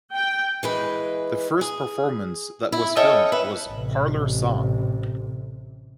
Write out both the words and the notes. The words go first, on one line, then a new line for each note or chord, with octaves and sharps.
The first performance that was filmed was 'Parlour Song'.
G5
E3 G#3 B4
G#4
E4
C#4 A4 C#5 D#5 E5 G5
C#4 B4 E5
A1 C3